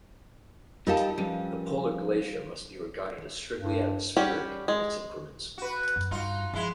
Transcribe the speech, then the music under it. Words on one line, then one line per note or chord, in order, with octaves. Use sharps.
The Polar glacier must be regarded as strictly atmospheric in its increments.
G3 D#4 F4 G4 A4 A#4 F5 A5
F3 G3 C#4 B4
G2
G3 C#4 F#4 G4
G#3
F#4 B4
F#2
G2 D#4 F4 F#4
F3 G#3 E4